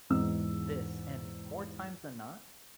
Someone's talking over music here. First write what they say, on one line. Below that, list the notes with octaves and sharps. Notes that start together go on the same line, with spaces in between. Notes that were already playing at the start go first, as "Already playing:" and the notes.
this," and more times than not,
E2 G#2 D#4 E6